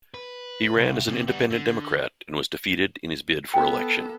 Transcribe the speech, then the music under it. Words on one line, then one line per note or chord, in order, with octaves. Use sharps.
He ran as an Independent Democrat and was defeated in his bid for election.
B4
C2
C3 F3
G3 B3
D3
B3 A4 G5